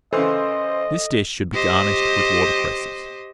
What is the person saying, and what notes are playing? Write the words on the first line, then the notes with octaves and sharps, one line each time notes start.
This dish should be garnished with water-cresses.
C#3 E3 A4 C5 D#5 C6
G4 C5 D#5